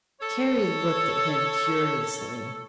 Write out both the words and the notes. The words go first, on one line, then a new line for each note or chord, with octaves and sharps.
Carrie looked at him curiously.
A4 C#5